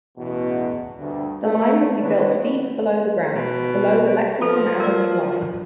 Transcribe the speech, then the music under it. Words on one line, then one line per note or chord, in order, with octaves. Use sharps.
The line would be built deep below the ground, below the Lexington Avenue Line.
A1 E2 B2
D2 G2
A3
D#3 E3 B3 D4 B4 C#5
B2
F3 F4 A4 B4
A#4 D5